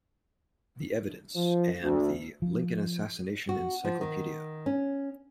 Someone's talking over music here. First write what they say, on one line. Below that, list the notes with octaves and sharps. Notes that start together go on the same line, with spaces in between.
The Evidence, and The Lincoln Assassination Encyclopedia.
F3
D2
F3
F#4
F3
D#3
C#4